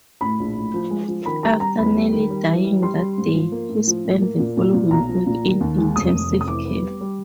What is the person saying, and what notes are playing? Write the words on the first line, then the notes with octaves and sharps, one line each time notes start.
After nearly dying that day, he spent the following week in intensive care.
A2 B5
A#1
A2
F3
G#3
F3
D#3 B5
G3 A#5
G3 A#5
E2 B5
G3
D#3
G3
E3
G3
G3 C6
G3
G#2
F3
A#3
A2
F3
A2
A#3
A#2
A#2
A#2
B1 A#5
F3
A#2
D#3
D#2
G#3
F1 D#6
F1
F1
D#6
E3 D6
B3
G3
G3